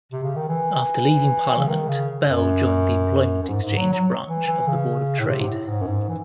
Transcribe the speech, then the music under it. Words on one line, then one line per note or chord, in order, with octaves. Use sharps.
After leaving Parliament, Bell joined the Employment Exchange branch of the Board of Trade.
C3
C#3
D#3
E3
C#3
D#3
C#3
F#2
F#2
G#2
G#2
F#3
F#3
E3
E3
C#3
A2
C3
G#2
A2
G#2
F#2
G#2
E3